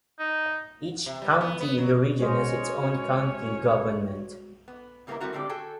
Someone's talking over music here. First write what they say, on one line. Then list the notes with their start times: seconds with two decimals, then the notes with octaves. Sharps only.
Each county in the region has its own county government.
0.19 D#4
1.06 C3
1.22 G3
1.41 B3
1.60 B3
1.78 F#3
2.19 G#3 C#4 F#4 G#4 C5 C#5 D#5
4.68 B3
5.07 C#3 G3 A#3 B3 E4 A#4
5.20 G3 A3 C4 E4 F#4 A#4
5.33 A2 D3 G#3 C4 G4 D5
5.49 F#4 G#4 A4 G5